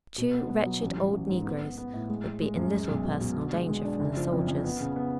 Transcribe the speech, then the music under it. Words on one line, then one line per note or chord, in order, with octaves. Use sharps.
Two wretched old negroes would be in little personal danger from the soldiers.
B2
B3
B3
F#3
A1
A1
A1
G#2
B3
B3
B3
A2
G#3
G#3
G#3
F#2
G#3
B1
B2
B2
D3
G#3
G#3
D4
F#1
F3
F2
F2
B3
C#3
B3